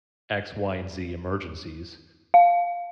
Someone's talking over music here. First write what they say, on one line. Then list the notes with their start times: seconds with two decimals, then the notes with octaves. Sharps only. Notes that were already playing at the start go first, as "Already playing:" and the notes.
x, y, and z emergencies.
2.34 F5